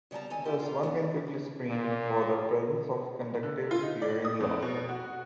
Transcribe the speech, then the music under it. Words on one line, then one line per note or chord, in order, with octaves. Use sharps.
Thus, one can quickly screen for the presence of conductive hearing loss.
C#3 G3 B3 A5 A#5
D#3 A4 G#5
E4 G4 A4
F4
A3 B3 D4 G#4
A#2
D3
F4
D#4
D5
D#6
F2
B2
F#4